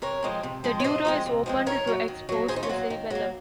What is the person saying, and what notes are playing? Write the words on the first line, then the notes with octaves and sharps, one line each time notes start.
The dura is opened to expose the cerebellum.
C3 A#4 C#5
F3 G#3 C4
C3
F3 G#3 C4
C#5
C3 C5 D#5
F3 G#3 C4
C3
F3 G#3 C4
D#3 A#4 C#5
F#3 A#3
D#3
F#3 A#3
D#3 G#4 C5
D#4
C#4 F4
F#3 A#3
D#3
F#3 A#3